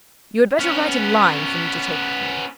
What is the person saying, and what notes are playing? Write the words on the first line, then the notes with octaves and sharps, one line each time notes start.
You had better write a line for me to take with me.
B3 C#4